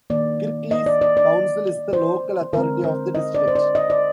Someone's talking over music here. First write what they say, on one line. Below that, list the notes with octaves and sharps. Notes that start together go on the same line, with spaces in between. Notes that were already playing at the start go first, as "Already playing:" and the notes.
Kirklees Council is the local authority of the district.
D#3 A#3 D5
D#5
D5
D5
D5
C5
D3 G#3 C4 A#4
C5
D#5
D5
C5
D5
D#5
D5